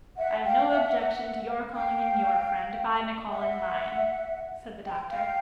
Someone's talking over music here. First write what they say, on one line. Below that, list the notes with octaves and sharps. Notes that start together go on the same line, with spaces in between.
'I have no objection to your calling in your friend if I may call in mine,' said the doctor.
E5 F#5
F5 G5
E5 F#5
F5 G5
E5 F#5
G5
F5 G5